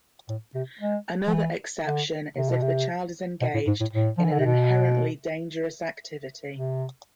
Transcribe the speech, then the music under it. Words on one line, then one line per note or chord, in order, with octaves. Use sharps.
Another exception is if the child is engaged in an inherently dangerous activity.
A2
C3
G#3
F3
E3
D3
C3
B2
C3
B2
A2
G#2
A2
A2
F3
E3
D3
C3
B2
C3